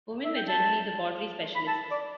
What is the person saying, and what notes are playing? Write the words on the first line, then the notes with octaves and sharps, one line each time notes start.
Women were generally the pottery specialists.
E5
G5
A5
B5
A5
D5